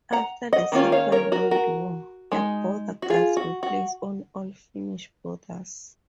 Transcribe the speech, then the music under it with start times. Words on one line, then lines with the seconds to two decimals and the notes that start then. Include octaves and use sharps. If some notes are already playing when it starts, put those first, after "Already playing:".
After the Second World War, the Border Guards were placed on all Finnish borders.
0.13 F#5 A#5
0.53 D#5 F#5
0.72 D#3 A#3 C#4 F4
0.92 C#5 F5
1.12 A#4 C#5
1.32 F#4 A#4
1.51 F#4 A#4
2.32 G#3 D#4
3.02 F#4
3.10 F4 G#4
3.37 F#4
3.63 F#4